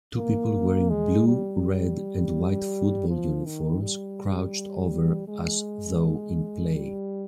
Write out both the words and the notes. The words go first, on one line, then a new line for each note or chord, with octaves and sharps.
Two people wearing blue, red, and white football uniforms crouched over as though in play.
A#3
G#3
G3
F3
D#3
G3
G#3
G3